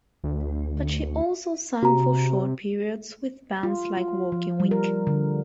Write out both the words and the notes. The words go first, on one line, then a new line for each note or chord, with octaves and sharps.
But she also sang for short periods with bands like Working Week.
D2
C3 F#4 A#5
F4
F4
F3
G3
A#4
D3